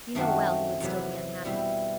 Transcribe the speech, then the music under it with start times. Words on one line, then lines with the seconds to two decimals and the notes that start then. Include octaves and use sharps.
You know well he would still be unhappy.
0.15 F#2 D#3 A3 C4 F#4
0.80 E2 C3 F#3 B3
1.45 B2 G3 C4 E4